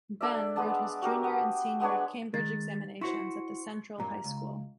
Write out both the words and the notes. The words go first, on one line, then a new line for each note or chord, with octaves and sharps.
Benn wrote his Junior and Senior Cambridge Examinations at the Central High School.
D4 A4 D5 E5
G#3 B3 D4 A5
F#4 G4 A#4
B3
G#3 B3 D4 C#5
D#3 G#3 A6
E4 F#4 C5 C6 C#6 C#7
G2 A#2 A#5
C#2